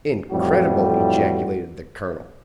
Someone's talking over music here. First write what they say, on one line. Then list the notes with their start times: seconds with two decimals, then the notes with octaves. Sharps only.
"Incredible!" ejaculated the colonel.
0.31 F2 A2 E3 G3 F#4